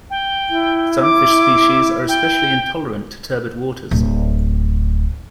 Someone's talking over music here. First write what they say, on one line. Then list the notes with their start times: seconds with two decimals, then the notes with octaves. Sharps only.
Sunfish species are especially intolerant to turbid waters.
0.10 G5
0.49 E4
1.03 D6
2.09 G5
3.91 D1